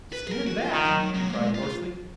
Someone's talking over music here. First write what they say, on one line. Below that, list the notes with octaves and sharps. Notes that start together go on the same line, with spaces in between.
"Stand back!" he cried, hoarsely.
B4
G#4
A#4
F#4
F4
D#3 D#4
F3
F#3
F#3
A#3
G#3
F4
F4